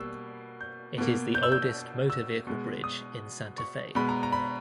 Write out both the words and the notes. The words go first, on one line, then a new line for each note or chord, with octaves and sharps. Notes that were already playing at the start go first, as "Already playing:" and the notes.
It is the oldest motor vehicle bridge in Santa Fe.
Already playing: B2 G3 A#3 E6
G6
B2 A#3
G6
E6
G6
E6
B2 G#3
D#6
C#6
B2 G#3 B5
A#5
A#5
B5